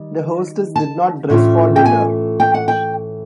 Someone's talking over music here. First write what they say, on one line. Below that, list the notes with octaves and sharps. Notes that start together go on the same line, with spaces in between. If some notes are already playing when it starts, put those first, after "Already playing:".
The hostess did not dress for dinner.
Already playing: D#3 G3
A5
A2 E3 A3 C#4 F4
G5
G#5
G5
F#5
G5